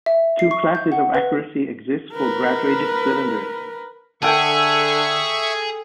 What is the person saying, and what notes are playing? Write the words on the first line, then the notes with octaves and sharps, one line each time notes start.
Two classes of accuracy exist for graduated cylinders.
E5
C7
C#6
G6
F#5
B4
A#4 B4
D3 G#4 A4 E5 G5 G#5 C#6